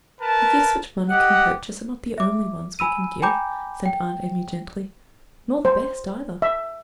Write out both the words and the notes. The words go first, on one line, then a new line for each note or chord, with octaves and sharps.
"The gifts which money can purchase are not the only ones we can give," said Aunt Emmy gently, "nor the best, either."
A#4 B4 A5
G4 D#5 F#5
E5 D6
G#5 B5 E6 D#7
G5 G#5 A#5 B5 D6 G6
G5
C5
E5